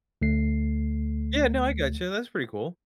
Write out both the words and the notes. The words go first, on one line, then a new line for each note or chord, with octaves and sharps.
Yeah, no, I gotcha, that's pretty cool.
D2 A3 C7